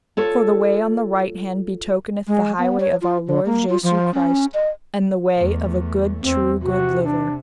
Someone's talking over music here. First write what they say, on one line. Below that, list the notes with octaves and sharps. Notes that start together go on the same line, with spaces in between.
For the way on the right hand betokeneth the highway of our Lord Jesu Christ, and the way of a good true good liver.
F4 A4 C#5
G#3
B3
C#5
F4
D3
A#3
F4
F3
C#4
D#5
E2 A3
E2 C4
C3 F#4
D4